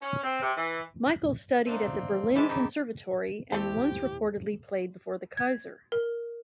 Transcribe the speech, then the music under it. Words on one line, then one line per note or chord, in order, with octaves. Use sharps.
Michael studied at the Berlin Conservatory and once reportedly played before the Kaiser.
C#4
C4
C3
E3
A3 C4 D4 D#4 C5 F5 C6
E3 G#3 G4 A5
E3 C#4 D#4 G4 G#4
D#2 A3 C4 E4 G4 A4
G#6
A#4